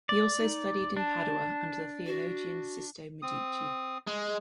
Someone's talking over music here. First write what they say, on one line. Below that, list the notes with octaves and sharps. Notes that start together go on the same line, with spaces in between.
He also studied in Padua under the theologian Sisto Medici.
D5
D#4
D4 A5
F#4
C4 D#6
G#3